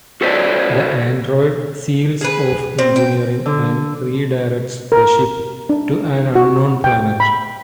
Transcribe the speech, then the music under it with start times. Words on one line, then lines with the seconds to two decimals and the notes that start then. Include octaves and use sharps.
The android seals off engineering and redirects the ship to an unknown planet.
0.21 F#4 A4 B4 C5 D5
2.21 G#4 B4
2.79 C4
2.96 G5
3.46 D3
4.92 A#4
5.69 D4
6.35 F#4
6.84 G5
7.20 B5